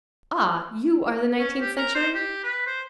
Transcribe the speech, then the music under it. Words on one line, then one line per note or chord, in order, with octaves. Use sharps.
Ah! you are the nineteenth century?
C#4
G4
A#4
C5
G4
B4
C5